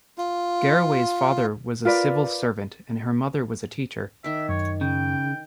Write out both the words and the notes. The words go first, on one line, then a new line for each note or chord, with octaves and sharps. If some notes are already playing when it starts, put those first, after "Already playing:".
Garraway's father was a civil servant and her mother was a teacher.
F4
F4 A#4 B4 D5
D#3 E5 D6
F#2 C#5
C#3 G5